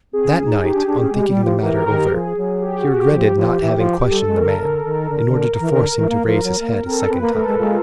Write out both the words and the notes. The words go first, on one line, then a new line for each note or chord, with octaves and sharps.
That night, on thinking the matter over, he regretted not having questioned the man, in order to force him to raise his head a second time.
C4 G#4
C#4
D#4
D#4 G4
D4
D4
C#4
G#3
G3
F3
E3 A#4
D#3 A#4
F3 G#4
F#3
G4
F#4
G4
F3
F3
E3
F3
G3 A4
G#3
A#4
D3
D3
D#3
D3
D3
E3 A#4
D3
E3
A#3
F3
F#3
A#3
C4 A4
A#4
C4 B4
A#3 A#4
A3 A4
G#3 A#4
G#3 F4